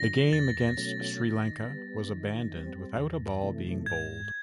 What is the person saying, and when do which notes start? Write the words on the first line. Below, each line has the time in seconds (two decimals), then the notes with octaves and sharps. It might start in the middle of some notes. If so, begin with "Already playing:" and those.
The game against Sri Lanka was abandoned without a ball being bowled.
Already playing: D3 F3 A#6
0.32 E2 A6
0.77 B2 F#3 A3 C#4
1.21 D#3
1.66 G3 B3
2.09 D#3
2.54 G3 C4
2.98 E2
3.42 C3 E3 A3
3.86 G#2 G#6